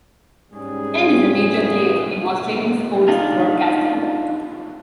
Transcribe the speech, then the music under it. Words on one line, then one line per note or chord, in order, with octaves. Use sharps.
Ten is a major player in Australian sports broadcasting.
G#2 G3 C#4 G#4
D4 D#4 F4